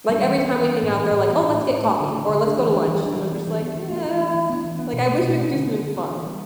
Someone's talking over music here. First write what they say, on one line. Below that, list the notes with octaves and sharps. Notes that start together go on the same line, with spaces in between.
Like, every time we hang out, they're like, "Oh, let's get coffee," or, "Let's go to lunch." And I'm just like, "Yeah." Like, I wish we could do something fun.
G3 B3 D4
E3
B3 D4
E3
B3 D4
A2
E3 B3
A2
E3 B3
A2
A3 D4
A2
A3 D4
D3
A3 D4
D3
A3 D4
E3
G3 D4
E3
G3 D4
E3
B3 D4
E3
B3 D4
E3
A3 D4
E3
A3 D4
E3
B3 D4
E3
B3 D4
B2
A3
D4
B2
A3 D4
D3
B3 D4
D3
B3 D4
E3
G3 B3